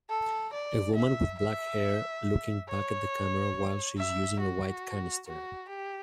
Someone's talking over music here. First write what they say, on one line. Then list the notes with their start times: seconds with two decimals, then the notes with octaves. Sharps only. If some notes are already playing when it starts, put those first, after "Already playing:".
A woman with black hair looking back at the camera while she is using a white canister.
0.10 A4
0.53 D5
0.96 E5
1.39 E5
2.68 C#5
3.97 E5
4.40 F#4
5.27 F#4
5.69 G4